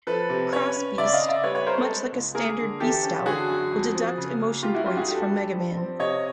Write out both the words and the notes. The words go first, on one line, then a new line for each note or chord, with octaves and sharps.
Cross Beast, much like a standard Beast Out, will deduct emotion points from MegaMan.
F3 A4 B4
C3
C#4 B4 C#5
C#4
C#3 D5 E5
D#5 F5
C#3
D5 E5
G3 B4 C#5
B4 C#5
C4 A#4 C5
A4 B4
G#3
C#2
A#3 G#4 A#4
D3
E3 G4 A4
C#4
D3 F#4 G#4
F#2
F2
F3
C#3
A#3
G3 F4 G4
E4 F#4
G2 F4 G4
F#4 G#4
G2 G4 A4
G2
F3
C4
C3 C#5 D#5